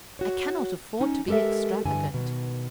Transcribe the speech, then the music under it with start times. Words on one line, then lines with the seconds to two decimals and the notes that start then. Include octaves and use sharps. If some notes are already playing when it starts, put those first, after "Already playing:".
I cannot afford to be extravagant.
0.19 F#4 C#5
1.01 C#4 D#4
1.28 G#3 G4 A4 A#4 E5
1.85 G2 D3 E3 G#5
2.14 B2 D#3